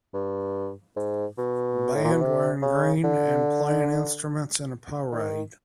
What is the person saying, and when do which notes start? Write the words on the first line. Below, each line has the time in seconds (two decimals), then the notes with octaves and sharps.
A band wearing green and playing instruments in a parade.
0.13 G2
0.97 G#2
1.38 B2
1.96 A2
2.04 A#2
2.12 B2
2.21 C3
2.62 C#3
3.04 D3
5.12 D#3